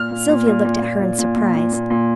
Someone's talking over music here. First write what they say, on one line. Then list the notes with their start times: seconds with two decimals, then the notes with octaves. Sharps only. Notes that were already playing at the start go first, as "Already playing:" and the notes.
Sylvia looked at her in surprise.
Already playing: A#2 F6
0.11 A#2
0.29 A#2
0.46 A#2
0.65 A#2
0.82 A#2
1.00 A#2
1.19 A#2
1.36 A#2
1.55 A#2
1.72 A#2
1.90 A#2